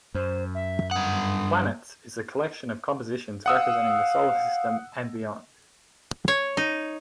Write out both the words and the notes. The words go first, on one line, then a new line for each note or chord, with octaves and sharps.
"Planets" is a collection of compositions representing the solar system and beyond.
F#2 C5
E5
G2 F#5 D#6
F5 F#5 D#6 E6
C#5
D#4